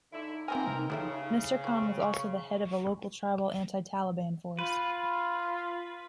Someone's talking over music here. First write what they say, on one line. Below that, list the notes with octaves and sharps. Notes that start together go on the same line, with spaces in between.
Mr Khan was also the head of a local tribal anti-Taliban force.
D3 A3 D#4 E4
E3 F3 A#3 C4 A#4 G#5
C#3 G3 A3 E5
E3 C4 C#6
F4 B4